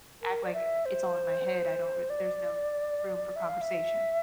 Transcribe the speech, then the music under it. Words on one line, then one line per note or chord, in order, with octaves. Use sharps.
act like it's all in my head, I don't re there's no room for conversation.
A#4
D5
E5
C5
D5
E5
F5
E5